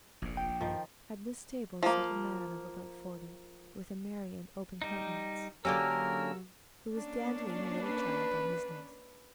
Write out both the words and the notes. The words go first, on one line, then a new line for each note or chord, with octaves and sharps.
At this table sat a man of about forty, with a merry and open countenance, who was dandling a little child on his knees.
F1 A#1 A#2
G5
G2 D#3 F3
F3 A#3
G3 D#4
D3 F#3 A#3 C#4 G4 A#4 E6
A#3 C#4 D4
B4